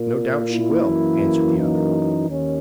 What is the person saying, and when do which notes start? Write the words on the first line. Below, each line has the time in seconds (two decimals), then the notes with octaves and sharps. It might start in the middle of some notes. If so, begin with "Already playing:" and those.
"No doubt she will," answered the other.
Already playing: A#2 A#3
0.48 E4
0.84 F#2 E3 A#3
1.57 D#4
2.29 D#2 D#3 C#4